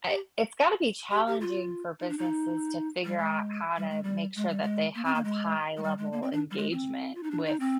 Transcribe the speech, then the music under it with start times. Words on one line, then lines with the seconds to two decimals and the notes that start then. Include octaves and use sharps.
i I It's gotta be challenging for businesses to figure out how to make sure that they have high-level engagement with
0.09 G4
1.11 G4
1.27 G4
1.41 F4
2.00 D#4
2.09 D4
2.18 D#4
3.05 G3
3.18 G#3
3.77 G3
3.90 G#3
4.03 G3
4.36 G#3
4.49 G3
4.62 G#3
4.95 A#3
5.05 C4
5.15 A#3
5.24 G#3
5.77 G#3
5.83 G3
5.98 G#3
6.13 A#3
6.23 C4
6.33 D4
6.51 G3
6.57 G#3
6.72 C4
7.15 F4
7.23 D#4
7.31 D4
7.46 D#4
7.60 C4